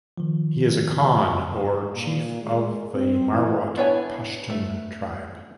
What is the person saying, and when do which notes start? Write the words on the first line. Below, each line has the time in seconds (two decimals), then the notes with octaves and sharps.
He is a Khan, or Chief of the Marwat Pashtun tribe.
0.18 D#3 F3
1.93 A#2
2.41 G#3
2.94 C4
3.31 E3
3.77 B3 D4 E4 C#5 G#5
4.50 A3